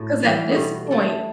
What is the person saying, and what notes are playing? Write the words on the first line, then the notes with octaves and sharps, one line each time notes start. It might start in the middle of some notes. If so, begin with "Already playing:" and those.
'cause at this point
Already playing: A2 F#4
E3 G3 B3
A4
B2 G4
A3 E4 A4